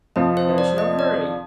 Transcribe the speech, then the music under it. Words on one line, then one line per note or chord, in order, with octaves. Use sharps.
There is no hurry.
F2 C3 F3 D#5
C5
D5
D#5
D5